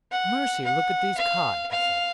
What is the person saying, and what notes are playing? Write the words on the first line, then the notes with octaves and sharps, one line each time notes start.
"Mercy, look at these cod!" he said.
F#5
F#5
F5
F5